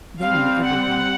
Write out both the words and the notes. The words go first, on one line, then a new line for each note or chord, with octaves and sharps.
They knew everything.
G3 C4 F5
F#5